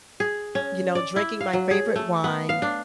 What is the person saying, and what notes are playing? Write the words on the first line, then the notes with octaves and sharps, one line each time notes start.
you know, drinking my favorite wine,
G#4
C#4
D5
E4
F5
F#3
G#4
A3
B3
F5
D4